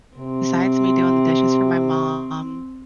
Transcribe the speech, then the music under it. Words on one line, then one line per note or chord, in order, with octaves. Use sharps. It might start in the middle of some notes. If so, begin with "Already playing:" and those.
Besides me doing the dishes for my mom
C3 C4